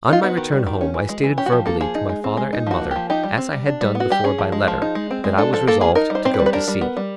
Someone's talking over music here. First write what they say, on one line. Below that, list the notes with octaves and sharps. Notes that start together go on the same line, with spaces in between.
On my return home I stated verbally to my father and mother, as I had done before by letter, that I was resolved to go to sea.
D#4 F4
B3 F#4
D#3
G3
D#3
C#4
E3
G#3
E3
C#4 G4
F#4
F3 G4
A#3 A4
F3 G#4
D#4
G#3
C4
G#3
D#4
F3 F#4
A#3
F3 G4
D#4 G4
G3
C4
G3
D4
G3
B3
F#4
G3 G4
C#4 G#4
F3
G#3
F3
D#4
G#3
C4
G#3
D4 A4
F3 A4
A#3 A4
F3 G#4
D#4 A#4
G3
C5
C4 C5
B4
G3
B4
D4 A#4
G3
B3
G3